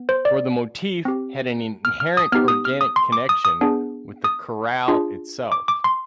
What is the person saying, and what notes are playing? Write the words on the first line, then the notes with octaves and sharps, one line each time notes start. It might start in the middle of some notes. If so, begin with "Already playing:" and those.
For the motif had an inherent organic connection with the chorale itself.
Already playing: B3
C5
D5
C4 G4
F6
F6
D#6
B3 D#4 G4 F6
D#6
F6
D#6
C6
D6
D#6
D#6
B3 D4 G#4
D#6
D4 F4 G#4
D6
D6
C6